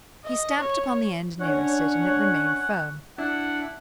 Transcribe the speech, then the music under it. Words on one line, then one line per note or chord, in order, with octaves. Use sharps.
He stamped upon the end nearest and it remained firm.
D#5
C#5
C#4 D4 C#5 F#5
D4 E4 F#5